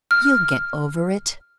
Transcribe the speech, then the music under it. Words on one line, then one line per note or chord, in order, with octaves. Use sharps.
You'll get over it.
F6